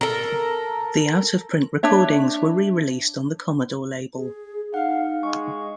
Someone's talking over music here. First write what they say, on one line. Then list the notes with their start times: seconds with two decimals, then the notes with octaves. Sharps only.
The out-of-print recordings were re-released on the Commodore label.
0.01 A4 A#4
1.83 D4 C#5 E5
4.16 G#4
4.74 D#4 F5 F#5
5.23 G#3 C#6